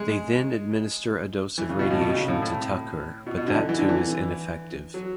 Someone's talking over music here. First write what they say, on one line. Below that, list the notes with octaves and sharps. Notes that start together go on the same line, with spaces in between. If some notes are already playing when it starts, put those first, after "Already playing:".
They then administer a dose of radiation to Tucker, but that too is ineffective.
Already playing: G#3
E3
C#3
B2
A2
B2
C#3
A2
A2
B2
B2
D3
E3
E3
D3
E3
F#3